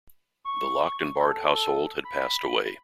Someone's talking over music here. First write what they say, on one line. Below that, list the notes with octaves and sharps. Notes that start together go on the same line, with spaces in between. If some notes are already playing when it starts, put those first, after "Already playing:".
The locked and barred household had passed away.
C#6
A4
B5